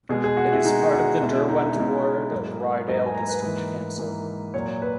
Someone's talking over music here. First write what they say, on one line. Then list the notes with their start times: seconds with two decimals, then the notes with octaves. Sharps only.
It is part of the Derwent ward of Ryedale District Council.
0.09 B2 G#3 G#4
0.24 G#4
0.37 F#4
0.52 E4
0.65 B2 G#3 D#4
0.93 F#4
1.20 B2 G#3 E4
1.35 E4
1.49 D#4
1.62 E4
1.76 B2 G#3 E4
2.32 G#2 F#3 A#3
2.88 G#2 F#3 A#3 D#5
3.06 G#5
3.15 A#5
3.29 B4
3.42 G#2 E3 A#3
3.98 G#2 E3 A#3
4.54 A#2 F#3 A#3 C#5
4.82 B4